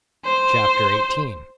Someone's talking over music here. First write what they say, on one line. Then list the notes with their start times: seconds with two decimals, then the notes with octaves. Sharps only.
Chapter XVIII.
0.25 C5